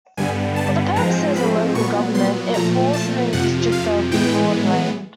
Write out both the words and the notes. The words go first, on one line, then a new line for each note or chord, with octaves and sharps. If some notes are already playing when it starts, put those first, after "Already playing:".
For the purposes of local government, it falls within the district of Broadland.
G2 D3 G3 B3 G#5
A5
G#2 F3 G#3 C4 A#5
B5
A#2 F#3 B3 C#6
C6
A#2 F3 A3 A#5
A5
F2 C3 F3 F#5
F5
A2 E3 G#3 B3 G5